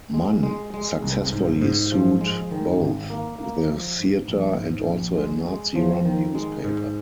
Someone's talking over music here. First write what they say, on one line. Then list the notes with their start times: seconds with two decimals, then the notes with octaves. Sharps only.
Mann successfully sued both the theatre and also a Nazi run newspaper.
0.14 G#3
0.43 G#3
0.74 G#3
1.03 C2
1.32 G#2
1.62 G#2
1.92 F3
2.21 G#3
2.51 D#3
2.80 G#1
3.10 A#3
3.39 A#3
3.69 F3
3.98 G#2
4.28 A#1
4.57 G#2
4.87 A#1
5.16 G#3
5.46 G#3
5.75 F3
6.05 D#3
6.35 G#3
6.64 G#2